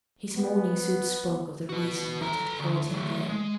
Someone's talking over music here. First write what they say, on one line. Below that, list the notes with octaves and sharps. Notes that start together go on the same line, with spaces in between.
His mourning suit spoke of the reason that had called him there.
B3
F#4 B4
A4 A#5
D2
F#3 A3
G#3